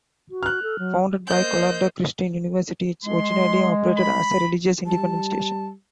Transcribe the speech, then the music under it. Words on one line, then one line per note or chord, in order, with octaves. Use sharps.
Founded by Colorado Christian University, it originally operated as a religious independent station.
F#4
F6 F#6
A4
F#3
A#3 C5 D#5 G6
G#3 C6
B5
G3 A5